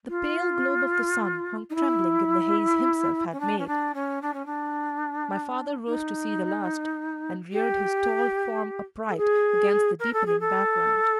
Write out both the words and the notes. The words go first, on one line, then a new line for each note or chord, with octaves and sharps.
The pale globe of the sun hung trembling in the haze himself had made. My father rose to see the last, and reared his tall form upright against the deepening background.
F4
D#4
E4
C#4
D4
C#4
D4
C#4
D4
C#4
D4
D#4
G4
A4
G#4
A#4
A4
G#4
A4